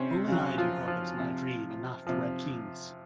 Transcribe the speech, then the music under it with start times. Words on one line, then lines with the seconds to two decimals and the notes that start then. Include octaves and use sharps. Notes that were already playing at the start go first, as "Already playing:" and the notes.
Only I do hope it’s my dream, and not the Red King’s!
Already playing: C3 C4 C#4
0.28 C#3 F#3
0.58 F3 F4
0.87 F3 F4
1.18 C3 F3
2.07 C3 F3